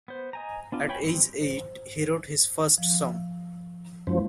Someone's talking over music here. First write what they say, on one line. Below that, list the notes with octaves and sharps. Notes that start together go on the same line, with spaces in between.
At age eight, he wrote his first song.
B3 C5
D#5 G#5 A#5
B3 D4 F4
B4 C#5 G5 G#5 B5
G3 B3 C4
C5
F3
F#2 F3 G#3 A#3 E4